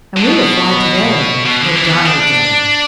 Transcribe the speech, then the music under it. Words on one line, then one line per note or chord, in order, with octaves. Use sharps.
And we will fly together or die together.'
D3
B2
B2
D3
E3
D4
B3
D4